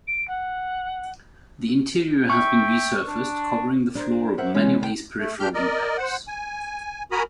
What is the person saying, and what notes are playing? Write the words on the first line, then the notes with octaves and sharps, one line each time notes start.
The interior has been resurfaced, covering the floor of many of these peripheral impacts.
D7
F#5
E5 G5 C#6
D4
D4 A#4 C5
A#4 C5 E5 F#5
B2 E3 G#3 B3 C#4
D2 C3 A#4 G5
A3
G2 D4 G4 F6 G6
A#4 D5 D#5
C5 F#5
G#5
F#4 A#4 G#5 A#5 B5 D#6